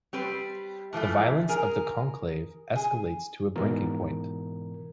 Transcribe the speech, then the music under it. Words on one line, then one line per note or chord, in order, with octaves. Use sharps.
The violence of the Conclave escalates to a breaking point.
G3 C4 B4 C5
A2 E3 F3 A3
G#4 A#4
G#4
G#2 B2 E3 A#4